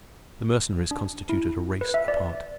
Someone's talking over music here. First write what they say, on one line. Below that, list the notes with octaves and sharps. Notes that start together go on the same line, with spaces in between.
The Mercenaries constituted a race apart.
D4
E4
B4
E5
D5